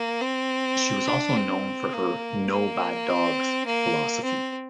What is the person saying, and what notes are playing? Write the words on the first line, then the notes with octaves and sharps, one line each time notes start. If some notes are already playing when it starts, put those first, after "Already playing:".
She was also known for her "no bad dogs" philosophy.
Already playing: A#3
C4
D4
C4
A#3
A#3
C4
A#3
C4